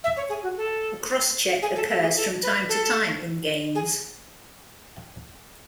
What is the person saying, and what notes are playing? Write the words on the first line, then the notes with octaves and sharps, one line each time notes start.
A cross-check occurs from time to time in games.
E5
C#5
G#4
F#4
A4
G#4
A4
A4
G#4
A4
B4
A4
G#4